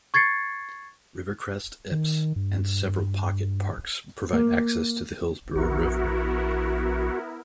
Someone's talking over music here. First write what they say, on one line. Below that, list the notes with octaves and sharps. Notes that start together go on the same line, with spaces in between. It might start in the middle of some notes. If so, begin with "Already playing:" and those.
Rivercrest, Epps, and several pocket parks provide access to the Hillsborough River.
C#6 G#6 A6 C7 C#7
D#3
G2
A#3
A#1 B3 E4 F#4 A#4